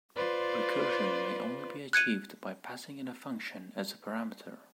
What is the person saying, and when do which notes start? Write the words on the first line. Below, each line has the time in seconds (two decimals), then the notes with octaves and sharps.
Recursion may only be achieved by passing in a function as a parameter.
0.16 F4 B4 C5 D5
1.93 F#6 G#6 C#7 D#7